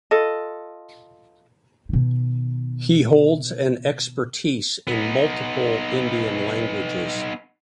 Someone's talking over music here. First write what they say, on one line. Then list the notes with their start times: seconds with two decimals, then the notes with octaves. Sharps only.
He holds an expertise in multiple Indian languages.
0.11 F4 A4 D#5
1.89 B2 D#3
4.87 B3 D#4